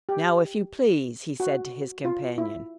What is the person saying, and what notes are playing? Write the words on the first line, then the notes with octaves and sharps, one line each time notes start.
"Now if you please," he said to his companion.
G4
F#4
F4
E4